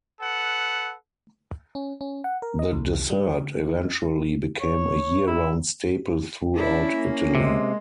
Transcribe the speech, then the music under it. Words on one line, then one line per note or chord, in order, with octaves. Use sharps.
The dessert eventually became a year-round staple throughout Italy.
A4 B4 F#5
C#4
C#4
F#5
A#4
D#5
C2
G3
C#5
E4
C#4 D4 E4
A#3
C3 G#3